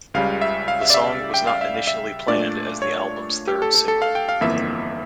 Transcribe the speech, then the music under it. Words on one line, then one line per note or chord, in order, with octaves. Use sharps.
The song was not initially planned as the album's third single.
C#2 C#3 G3 F5
E5
F5
E5
D5
E5
G5
F5
E5
F5
E5
A#2 A3 D4 D5
C#5
G4
A4
A4
A4
F5
G5
F5
G1 F2 E3 A#3 E5